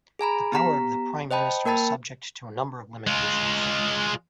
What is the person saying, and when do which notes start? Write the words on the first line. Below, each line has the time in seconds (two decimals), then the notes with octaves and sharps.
The power of the prime minister is subject to a number of limitations.
0.19 G#4 G#5 A#5 B5
0.52 B3 G4 A#5 B6
1.31 C5 D#5 G5 A5 B5
1.65 A#3 A#4 G5 A5 B5 A6
3.07 G#3 F4